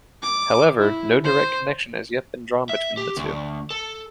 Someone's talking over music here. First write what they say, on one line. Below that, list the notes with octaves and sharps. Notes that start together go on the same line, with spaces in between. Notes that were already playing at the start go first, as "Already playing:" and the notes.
However, no direct connection has yet been drawn between the two.
D6
E4
C5
E5
G4
D2
A4